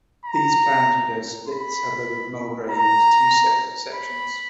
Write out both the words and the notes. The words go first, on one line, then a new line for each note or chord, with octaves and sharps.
These plans would have split the suburb of Mulgrave into two separate sections.
A#5
B5
A#5
B5